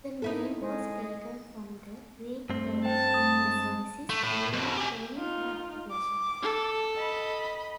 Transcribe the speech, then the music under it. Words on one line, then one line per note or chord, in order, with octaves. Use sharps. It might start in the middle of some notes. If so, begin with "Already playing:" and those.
The name was taken from the Greek term "Askesis", meaning 'training' or 'application'.
D#4 E4 A4
G#3
G2 A3 C4
C5 G5 A5
D#6
G#3
A3
A2
F2 B2
G4 G#5
D#4 F4
D6
A4
D#5 B5